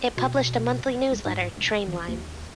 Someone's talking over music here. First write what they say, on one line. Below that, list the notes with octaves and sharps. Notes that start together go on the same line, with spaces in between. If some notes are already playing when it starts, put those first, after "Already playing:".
It published a monthly newsletter, "Trainline".
B2
E1
C#2
G#2
F1
A1
D#2